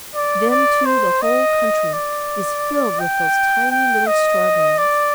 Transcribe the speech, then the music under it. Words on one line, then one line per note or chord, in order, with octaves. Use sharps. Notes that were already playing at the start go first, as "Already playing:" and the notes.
Then too the whole country is filled with those tiny little strawberries.
D5
D5
C5
D#5
D5
G5
G5
D#5
D5